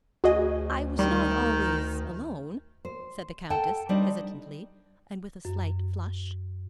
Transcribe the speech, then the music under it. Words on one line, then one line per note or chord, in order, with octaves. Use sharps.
"I was not always alone," said the Countess, hesitatingly, and with a slight flush.
D2 F#4 G#4 D#5
D#3 G3
C5
A4 F#5 G5 A5
G3 D4 D#4 C5 D5
F#2